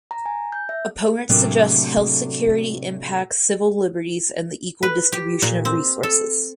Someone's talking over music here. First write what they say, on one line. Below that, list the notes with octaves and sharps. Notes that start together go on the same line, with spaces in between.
Opponents suggest health security impacts civil liberties and the equal distribution of resources.
A#5
G#5
G6
E5
A2 C3 F#3 A3 A#3 D4
B4
G4
A#2
C4
A4